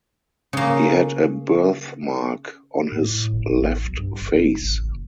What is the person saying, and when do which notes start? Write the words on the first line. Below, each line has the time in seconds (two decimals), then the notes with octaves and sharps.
He had a birthmark on his left face.
0.53 C#3 A#3
2.92 A2
3.11 A2
3.33 F#1
3.58 A1
3.84 B1
3.99 G2
4.21 F#1
4.61 A1
4.82 F#1